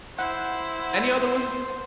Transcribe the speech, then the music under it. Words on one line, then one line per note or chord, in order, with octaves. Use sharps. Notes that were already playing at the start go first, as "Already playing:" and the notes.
any other ones that you can think of?
E4 C5 F#5